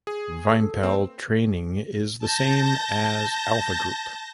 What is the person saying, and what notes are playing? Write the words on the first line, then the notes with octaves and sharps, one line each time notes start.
Vympel training is the same as Alpha Group.
G#4
A4
A#3 C4 B4
A5 G6 A#6